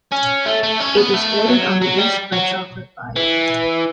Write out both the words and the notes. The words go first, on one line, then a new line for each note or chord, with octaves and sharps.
It is bordered on the east by Chocolate Bayou.
C#4
A3
A3
C#4
B3
A3
F#3
F#3
G3
F#3
E3